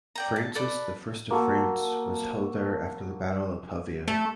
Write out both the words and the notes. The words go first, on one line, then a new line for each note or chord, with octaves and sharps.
Francis the First of France was held there after the Battle of Pavia.
D5 G5 A#5
A5
A4 B4 D5
A#3 F#4 A4
A3 A4